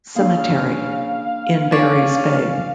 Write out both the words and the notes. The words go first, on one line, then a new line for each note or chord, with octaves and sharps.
Cemetery, in Barry's Bay.
C#3 A#3 D4 F5
C#4 C#5 D5